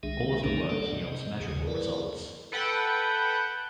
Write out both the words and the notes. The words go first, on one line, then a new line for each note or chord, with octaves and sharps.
All of the work yields measurable results.
C2 D#3 G#3 D4 G#4 E5
D3 D#3 A3 A#3 C#4 D#4
G3 D4 A4 D5 F#5
C3 D#5
D#2 C#3 G#4
E4 G#4 A#4 B4 D5
A4 B4 F#5 G5